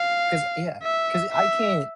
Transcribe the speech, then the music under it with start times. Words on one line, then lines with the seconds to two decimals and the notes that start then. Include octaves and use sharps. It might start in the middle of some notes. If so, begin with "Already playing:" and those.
'cause, yeah 'cause I can't
Already playing: F5
0.83 E5
1.32 E5